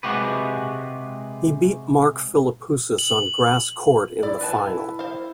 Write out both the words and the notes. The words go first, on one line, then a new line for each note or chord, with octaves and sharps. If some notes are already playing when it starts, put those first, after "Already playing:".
He beat Mark Philippoussis on grass court in the final.
C3 F3 G#3 F#4 G4 B4
F#7
E4 D5
B4 G#5 A5
C5 F5